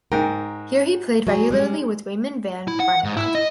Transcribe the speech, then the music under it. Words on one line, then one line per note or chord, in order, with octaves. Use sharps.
Here he played regularly with Raymond van Barneveld.
G#2 A#4 G5
F#3 G#4
G3 G#3
E4
F#5
G#2
E4
D#5